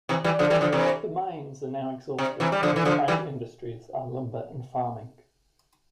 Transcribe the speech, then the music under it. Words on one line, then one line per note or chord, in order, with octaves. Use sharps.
The mines are now exhausted and the primary industries are lumber and farming.
C3 E3
E3 G3
D3 F3
E3 G3
D3 F3
C3 E3
C3
C3 E3
G3
D3 F3
E3
D3 F3
E3 G3